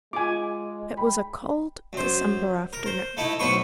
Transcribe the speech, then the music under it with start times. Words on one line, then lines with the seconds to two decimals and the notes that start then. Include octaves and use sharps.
It was a cold December afternoon.
0.13 G#3 F4 G#5 D6
0.97 G5 B5
1.93 F#2 C5
2.73 A#4
2.86 C5
3.17 A3 D#4 E4
3.39 B1 A2 B3 B4 C5 C#6